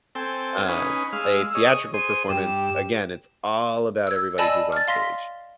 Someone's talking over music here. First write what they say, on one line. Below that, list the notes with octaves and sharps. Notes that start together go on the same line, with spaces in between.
um, a theatrical performance, again, it's all about everybody who's on stage.
C4 A4 G5 G#5
C#4 D#4 B4
G#3 F5 E6
G#4 C#5 D#5
G#4 C5 D#7
G2 G4 E7
E6 G#6
D5 D#5 G#5 A5 B5 E6
F6 A6
F5 C6 A#6 B6